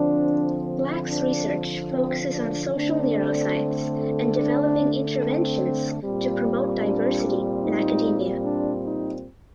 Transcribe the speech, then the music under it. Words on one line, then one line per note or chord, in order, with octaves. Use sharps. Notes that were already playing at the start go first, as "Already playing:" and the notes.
Black’s research focuses on social neuroscience and developing interventions to promote diversity in academia.
Already playing: D3 F3 C4 D4
D4
C4
D4
D3 A3 C4 D4
D4
C4
A#2 G3 C4
D4
D#4
D4
D#4